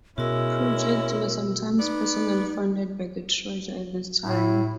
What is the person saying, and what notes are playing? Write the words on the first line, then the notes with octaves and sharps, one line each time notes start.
Projects were sometimes personally funded by the Treasurer at this time.
B2 G#3 C#4 E4 F#4 A#4 E6
B3 D#4 D5
A2 E4